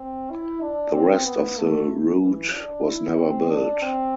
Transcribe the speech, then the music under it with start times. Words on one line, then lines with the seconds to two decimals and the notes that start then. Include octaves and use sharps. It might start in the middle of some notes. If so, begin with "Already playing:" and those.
The rest of the route was never built.
Already playing: C4
0.30 E4
0.62 D4
0.93 C4
1.26 B3
1.58 A3
2.21 E3
2.54 D4
2.86 E4
3.18 C4
3.50 D4
3.82 C4